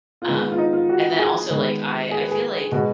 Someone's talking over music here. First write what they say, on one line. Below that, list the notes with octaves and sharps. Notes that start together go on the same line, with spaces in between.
Um, and then also, like, I I feel like
F4
D#3 G#3 B3 D#4
F4
D#4
F4
F#4
G#4
D#3 G#3 B3
G#4
B4
G#4
B2 G#3 B3 F#4